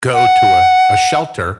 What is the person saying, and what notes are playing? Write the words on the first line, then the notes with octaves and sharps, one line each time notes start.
go to a a shelter.
F#5